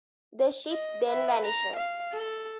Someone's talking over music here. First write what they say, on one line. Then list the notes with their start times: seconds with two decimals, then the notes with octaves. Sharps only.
The ship then vanishes.
0.71 D#5
1.08 B4 E5
1.44 A#5
1.76 F5
2.13 A4